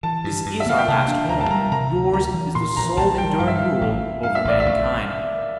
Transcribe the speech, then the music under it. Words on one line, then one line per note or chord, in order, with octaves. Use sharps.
This is our last home, yours is the sole enduring rule over mankind.
E3 A5
G2
G2
E5
A#3 F5
G5
C3 A5
D4
D2 A#5
A5
G3 A#5
C3 A#5
D2
D2 A#5
E3
A#2 C6
A#1 A#5
A#1 A5
G3 G5
G2 F5
E5
G3 F5
A1
E3
G2 F5
E5
A1 D5
E5
A1